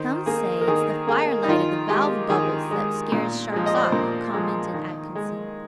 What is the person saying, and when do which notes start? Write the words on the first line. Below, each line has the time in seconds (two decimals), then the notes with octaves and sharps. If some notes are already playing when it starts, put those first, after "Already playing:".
"Some say it's the fire-light of the valve bubbles that scares sharks off," commented Atkinson.
Already playing: D#3 C5
0.26 A#3 G#4
0.61 A#4
0.67 D#3 G#4
1.07 A#3 G#4
1.44 D#4
1.48 D#3 F4
1.89 G#3 G4
2.30 D#3 G#4
2.71 G#3
3.12 A#2
3.52 F3 G#3
3.66 D#5
3.74 D5
3.84 C5
3.92 A#2 A#4
4.34 F3 G#3
4.74 D#3
5.15 G#3